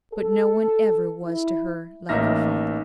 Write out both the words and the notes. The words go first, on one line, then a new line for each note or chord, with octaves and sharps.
But no one ever was to her like her father.
A4
E4
A1 A#3 D#4 E5 F6 A#6